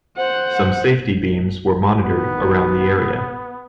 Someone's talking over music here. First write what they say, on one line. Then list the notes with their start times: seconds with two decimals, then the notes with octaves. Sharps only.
Some safety beams were monitored around the area.
0.17 C5 F#5
2.04 D#3 B3 F#4